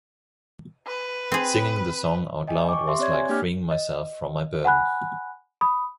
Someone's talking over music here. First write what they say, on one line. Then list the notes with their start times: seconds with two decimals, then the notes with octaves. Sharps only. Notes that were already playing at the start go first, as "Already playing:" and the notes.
Singing the song out loud was like freeing myself from my burden.
0.87 B4
1.32 C4 G#4
2.47 D#5 G5 G#5
2.69 C#6 D6
2.86 G4 E5 C6
2.99 C4 C#5 D5 G#6
3.14 G#5
3.29 A#3 D4 G4 G5 D6 F6
3.71 D#5
4.65 F#5 G#5 B5 F#6
5.61 B5 D#6